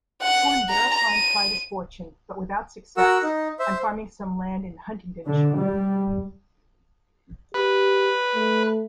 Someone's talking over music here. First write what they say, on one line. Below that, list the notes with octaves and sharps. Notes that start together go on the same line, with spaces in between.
Horne thereupon tried his fortune, but without success, on farming some land in Huntingdonshire.
F#5
A#5
D#7
F#4 A#4 F#5 E6
D#4
C5 E5
D3
G3
G4 B4
A3